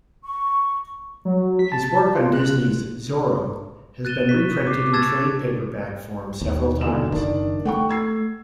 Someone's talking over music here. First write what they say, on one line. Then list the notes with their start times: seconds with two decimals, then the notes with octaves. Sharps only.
His work on Disney's "Zorro" has been reprinted in trade paperback form several times.
0.24 C#6
1.25 F#3
1.59 B6
1.72 A5
2.15 F4
2.33 F#6
4.05 F#6 A6 D#7 E7 G7
4.29 C#6 B6
4.67 D6 C7
4.93 A5 C#6 E6 G#6 A6 E7
6.42 D#2
6.81 B1 D3 E7
7.12 F#1 D#3 D4 D5
7.65 A3 F#5 G5 C#6
7.89 E6 G#6 C7